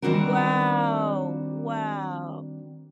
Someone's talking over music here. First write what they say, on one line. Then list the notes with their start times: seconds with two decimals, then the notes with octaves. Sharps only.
Wow. Wow.
0.02 D#3 G3 C4 D4 F#4 A#4